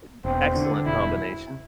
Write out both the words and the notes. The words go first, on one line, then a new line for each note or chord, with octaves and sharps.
Uh, d excellent combination.
E1 C4
D3
E1 E4